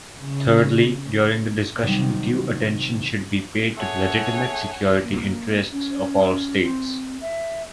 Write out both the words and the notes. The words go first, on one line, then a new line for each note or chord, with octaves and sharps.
Thirdly, during the discussion due attention should be paid to the legitimate security interests of all states.
C#3
C3 D#3 F#3 G3
G#4 A4 C#5 E5 F#5 G#5
A#3
C#4
C4
E5